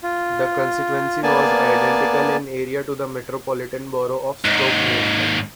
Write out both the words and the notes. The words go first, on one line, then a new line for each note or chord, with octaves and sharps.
The constituency was identical in area to the Metropolitan Borough of Stoke Newington.
F4
A#3 B3 D5 G#5 A5
D#2 G#2